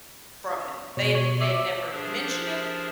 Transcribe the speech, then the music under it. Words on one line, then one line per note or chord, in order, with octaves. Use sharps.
from them. They'd n they'd never mentioned it,
B2 C#5
C#5
E5 D6
F3 D4 G4 G#4 A#4 C5